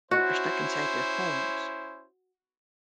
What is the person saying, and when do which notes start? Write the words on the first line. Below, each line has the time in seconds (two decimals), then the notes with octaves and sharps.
are stuck inside their homes.
0.11 C#4 E4 F#4 C5